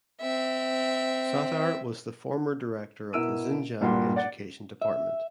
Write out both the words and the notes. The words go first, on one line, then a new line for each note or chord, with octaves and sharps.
Sattar was the former director of the Xinjiang Education Department.
C4 E5
B2 E4 A#4 E6 D7 D#7
G2 A#2 G3 F#4 C6
D5 F#5 A6
E5